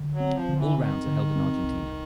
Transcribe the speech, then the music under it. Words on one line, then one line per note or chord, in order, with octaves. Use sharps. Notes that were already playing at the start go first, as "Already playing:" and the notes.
All rounds are held in Argentina.
Already playing: D3
F#3
C4
F3
D3
E3
D#3 C4
D3
C4
C2